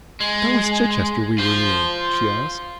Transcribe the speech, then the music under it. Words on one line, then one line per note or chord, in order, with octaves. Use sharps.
"That was Chichester we were near?" she asked.
G#3
F4 C5